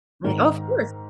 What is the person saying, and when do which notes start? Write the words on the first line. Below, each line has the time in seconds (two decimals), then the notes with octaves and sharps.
Right, of course.
0.24 G#2 D#3 G#3 A#4